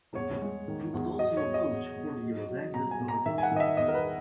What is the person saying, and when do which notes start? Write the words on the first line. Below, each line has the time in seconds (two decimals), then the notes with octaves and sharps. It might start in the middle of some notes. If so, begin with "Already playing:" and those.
He was also a coach for the Los Angeles Dodgers.
0.15 E2 C#5
0.42 G#3
0.68 D#3
0.94 E2
1.19 F#3 D#5
1.37 C#5
1.45 E2
1.54 D#5
1.71 E2
1.96 E2
2.23 F#3
2.48 F#3
2.74 B2 A#5
2.91 G#5
3.00 B2
3.08 A#5
3.26 D#3 E5
3.38 G#5
3.43 F#5
3.52 D#3 D#5
3.60 E5
3.77 E2 D#5
3.88 A#4
3.94 B4